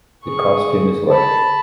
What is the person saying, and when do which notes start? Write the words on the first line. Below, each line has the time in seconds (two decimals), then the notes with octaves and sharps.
It cost him his life.
0.24 G#4 C#6
1.08 A5 B5